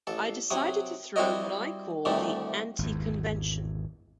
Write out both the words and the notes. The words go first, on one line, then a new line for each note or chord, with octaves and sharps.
I decided to throw what I call the 'anti-convention.
A1 A4
C3 F#3 D#6
G3 C4 E4 F#4 A#4 D#5
D2 C3 D#3 E3 G3 A3
G#1 E2